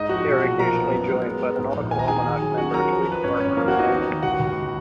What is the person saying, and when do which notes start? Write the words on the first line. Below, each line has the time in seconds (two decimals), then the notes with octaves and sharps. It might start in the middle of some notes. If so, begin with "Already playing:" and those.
They are occasionally joined by Nautical Almanac member Twig Harper.
Already playing: G#2 G#3 D#4 D#5
0.09 F2 F#4 F#5
0.26 B1
0.43 A#2
0.59 F3 A#4 A#5
0.76 B3
0.93 F#2
1.09 G#3
1.25 B3
1.42 G#3
1.59 G#2
1.75 A#1
1.91 D#2 G#5
1.99 A#5
2.08 D#3 G#4 G#5
2.24 D#3
2.41 F#3
2.57 C#4 F#4 F#5
2.74 F#3 A#4 A#5
2.91 F3
3.07 F2 B4
3.24 G#1 C#4 C#5
3.40 G#1 C#4 C#5
3.57 F3 A#3 A#4
3.68 F#4 F#5
3.73 B3
3.79 D#4 D#5
3.90 D#2
4.07 D#2
4.23 C#2 F#4 F#5
4.40 C#2